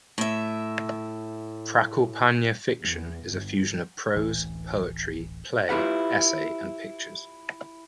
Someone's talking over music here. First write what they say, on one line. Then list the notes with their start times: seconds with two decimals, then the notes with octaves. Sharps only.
Prakalpana fiction is a fusion of prose, poetry, play, essay, and pictures.
0.18 A2 E5
2.81 E2
3.27 G1
4.15 D1 A1 E3
5.69 E4 F4 G4 B4 F5 F#5